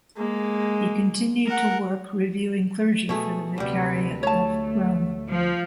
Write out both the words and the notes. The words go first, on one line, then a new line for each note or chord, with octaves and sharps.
He continued to work reviewing clergy for the Vicariate of Rome.
G#3 A#3
A#4 F#5
B2 A3 G#4
D2 C3 G3 B4
A3 C#5 A5
F3